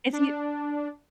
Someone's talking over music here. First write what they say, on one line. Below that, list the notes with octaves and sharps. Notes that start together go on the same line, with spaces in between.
If you
D4